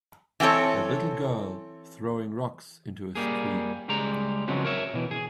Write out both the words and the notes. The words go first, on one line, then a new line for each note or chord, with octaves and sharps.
A little girl throwing rocks into a stream.
E3 B3 C4 A4 C#5
G3 A#3 G#4
C#2 G3 G#3 A#5
C#3 F3 F#3 G#3 B3 C4
A#4 C#5 E5
B2 E3
G#4